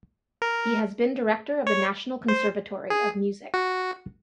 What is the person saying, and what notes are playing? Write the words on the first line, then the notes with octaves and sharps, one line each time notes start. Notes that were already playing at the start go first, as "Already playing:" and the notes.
He has been director of the National Conservatory of Music.
A#4
C#5
C5
G#4
F#4